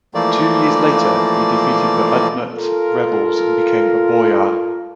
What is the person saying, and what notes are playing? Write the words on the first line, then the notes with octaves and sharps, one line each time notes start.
Two years later, he defeated the Udmurt rebels and became a boyar.
E3 F3 A3 A#3 D5
F4 A4 A#4